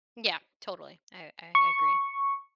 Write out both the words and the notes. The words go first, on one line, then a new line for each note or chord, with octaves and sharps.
Yeah, totally. I I agree.
C#6